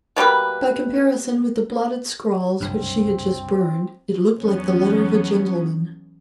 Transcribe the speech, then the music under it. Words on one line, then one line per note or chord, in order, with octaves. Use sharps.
By comparison with the blotted scrawls which she had just burned, it looked like the letter of a gentleman.
B2 G3 A#3 B4
F#1 C2 G2 C4
E2 F#3 B3 C#4